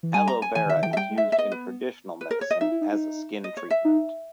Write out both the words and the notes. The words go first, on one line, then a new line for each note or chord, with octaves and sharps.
"Aloe vera" is used in traditional medicine as a skin treatment.
E3
G3 G#5
A#5
G#5
E3 G#5
D#3
E5
D#3
E3 G3 G5
E5
G3 G5
G#3
E5
G#3
E5
B3 D#5
B4
B4
A#4
C#5
D#5
D#4 E5
E4
D#4
D#4
D#5
C#5
E5
D#4